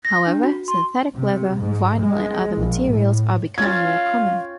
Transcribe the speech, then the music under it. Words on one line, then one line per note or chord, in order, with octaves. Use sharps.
However, synthetic leather, vinyl and other materials are becoming more common.
A#6
D4
F#4
C6
C3
G#2
G#3
A#1
A2
C#4 F4 F5 G5 G#6 A6